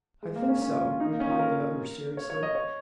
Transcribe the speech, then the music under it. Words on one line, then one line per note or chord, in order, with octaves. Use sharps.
"I think so," replied the other seriously.
G#3
A#3
C#4
C#4
F4
F4
D#4
A#3
C#4
F4
A#4
C#5
C#5
D#5
C#5